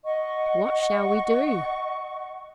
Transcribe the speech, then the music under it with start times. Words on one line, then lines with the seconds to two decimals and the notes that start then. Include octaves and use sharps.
What shall we do?
0.04 D#5 F#5 C#6